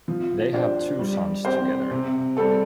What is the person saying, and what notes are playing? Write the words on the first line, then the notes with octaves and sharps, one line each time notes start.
They have two sons together.
F3
D4 G4 C5
G3
C4 G4 C5
C3
G3 C4 A4